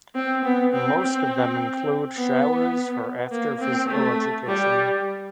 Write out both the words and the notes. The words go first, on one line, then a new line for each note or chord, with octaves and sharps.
Most of them include showers for after Physical Education.
C4
B3
C4
C4
B3
A#3
C4
A3
G3